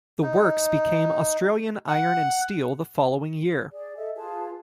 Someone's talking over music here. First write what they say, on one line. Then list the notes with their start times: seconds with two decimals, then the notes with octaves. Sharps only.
The works became Australian Iron and Steel the following year.
0.23 D#4
1.88 F#5
3.71 G#4 D5
3.96 A4 D#5 E5
4.16 F4 G#4 B4 A5